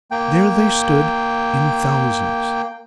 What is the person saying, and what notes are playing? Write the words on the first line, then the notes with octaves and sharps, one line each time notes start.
There they stood in thousands.
A#3 G5